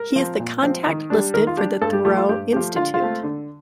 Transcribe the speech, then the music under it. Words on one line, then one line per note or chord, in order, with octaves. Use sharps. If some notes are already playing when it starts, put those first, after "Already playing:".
He is the contact listed for the Thoreau Institute.
Already playing: A#4
F3 C4
A#2
F3 C4
D#3
G3 D4
D#3 A#4
F4
G3 D4 G4
G2 A4
G4
F3 A3 G4
F4
G2 G4
F3 A3 G4
D3 F4
F4
A3 C4
D3